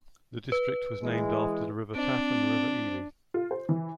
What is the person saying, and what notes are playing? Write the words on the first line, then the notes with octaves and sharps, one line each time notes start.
The district was named after the River Taff and the River Ely.
B4
E3 G#3
C4 D4
F4
C5
E3